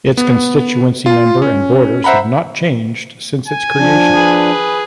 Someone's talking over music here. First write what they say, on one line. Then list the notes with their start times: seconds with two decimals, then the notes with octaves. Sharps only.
Its constituency number and borders have not changed since its creation.
0.17 B3
1.06 F4
1.42 C#4
2.04 C5 E5 F#5 A#5 B5
3.48 G#5
3.77 F3 D4
4.15 G#4 B4